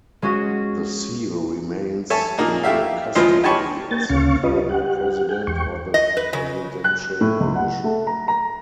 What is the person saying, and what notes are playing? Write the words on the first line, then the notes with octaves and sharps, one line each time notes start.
The seal remains in the custody of the current President or the Presidential Commission.
G#3 C#4 F#4 D#5
A4 C#5 E5 G#5 A5
A#2 A#3 D#4 G#4
A3 E4 G4 E5 F5
C#2 E3 F3 F4 D#5 C6
D#4 G4 G#5 A5 B5 C#6
A#3 G5 A6
D2 C#3 C#4 F5 C#6
C#4 F4 B4 D#5
G4 F#5
G#4 F#5 G5
E2 G5 C#6
D#5
B4
C#3
F#6
A2
C#2
F#5
A3
A#5
A#5